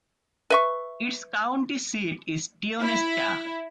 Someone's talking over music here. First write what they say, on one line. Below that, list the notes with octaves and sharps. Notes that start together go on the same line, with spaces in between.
Its county seat is Tionesta.
B4 E5 C#6
E4